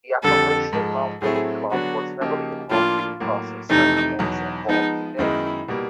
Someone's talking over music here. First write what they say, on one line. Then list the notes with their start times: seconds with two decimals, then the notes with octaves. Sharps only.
The Appalachian Mountain Club was heavily involved in the process and remains involved today.
0.23 F2 D3 G3 A4
0.73 G#2 F3 G#3
1.22 A2 F#3 A3 C4 E4 G#4
1.72 D3 F#3 B3 D4 F#4
2.21 C#3 F3 A#3 D#4 G4
2.71 A2 F3 A#3 D4 F4
3.20 A2 F#3 A#3
3.70 F2 C3 E3 A3 D#4
4.19 E2 B2 F#3
4.69 F3 G#3 B3 D#4
5.19 F#2 D#3 G#3 B3 D#4 E4
5.68 B2 G3 A#3